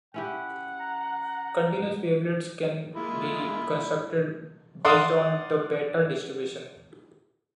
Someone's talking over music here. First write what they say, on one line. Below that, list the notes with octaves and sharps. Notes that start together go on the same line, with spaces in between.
Continuous wavelets can be constructed based on the beta distribution.
C#4 E4 G4 F#5
A#5
G#3 A#3 E4 F4
D5 F5 F#5 C6 D6 D#6